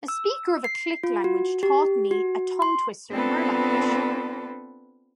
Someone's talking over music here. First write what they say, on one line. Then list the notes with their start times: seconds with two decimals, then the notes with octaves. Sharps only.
A speaker of a click language taught me a tongue twister in her language.
0.08 E6
0.64 C7
1.04 F4
1.24 F#4
1.63 G4
2.11 F#4
2.62 C6
3.11 B3 C4 D4 F4 A4 B4